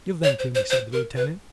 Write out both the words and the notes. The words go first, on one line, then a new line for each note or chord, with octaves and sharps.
"Give them to me," said the Lieutenant.
C#5
C5
C5
C5
A#4
B4